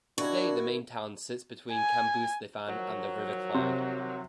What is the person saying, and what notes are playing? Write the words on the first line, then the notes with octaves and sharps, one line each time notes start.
Today the main town sits between Cambusnethan and the River Clyde.
D#3 D4 E4 F#4 C#5
G#5
D#3 F3 F#3
C3